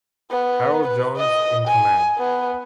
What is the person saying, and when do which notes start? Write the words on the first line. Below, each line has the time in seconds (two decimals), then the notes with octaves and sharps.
Harold Jones in command.
0.31 B3
0.87 B4
1.17 D#5
1.68 G#5
2.18 B3